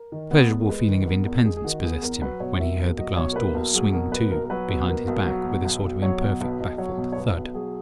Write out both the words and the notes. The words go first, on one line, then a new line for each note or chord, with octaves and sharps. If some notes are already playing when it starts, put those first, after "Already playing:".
A pleasurable feeling of independence possessed him when he heard the glass doors swing to behind his back with a sort of imperfect baffled thud.
Already playing: A#4
D#3
B3
E2
A#4
G#3 B4
D#3
B4
B3 A#4
E2
G#3 G#4
G#4
D#3 F#4
B3 G#4
E2 A#4
F#3 B4
B2 C#5
A#3 E5
B1
F#3 D#5
B2 C#5
A#4
A#3 B4
B1 A#4
F#3 G#4
B2 A#4
A#3 B4
B1 A#4
A#4
F#3 B4
B2
A#3
B1
F#3
B2
B1
B1
F#3 C#5
B2
B1 B4
B1 D#5
F#3 C#5
B2
C#5
B1 B4
B1
F#3 G#4